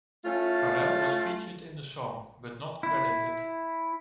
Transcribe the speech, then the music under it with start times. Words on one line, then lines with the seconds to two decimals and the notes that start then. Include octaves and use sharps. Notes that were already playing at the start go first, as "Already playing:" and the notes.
Pharrell was featured in the song, but not credited.
0.24 A3 C#4 E4 F4
2.83 E4